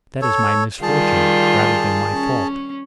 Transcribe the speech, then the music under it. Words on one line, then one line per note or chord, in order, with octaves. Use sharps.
"That is my misfortune, rather than my fault."
A4 C#5
D#3 G3 F4 G#4 A5
C#4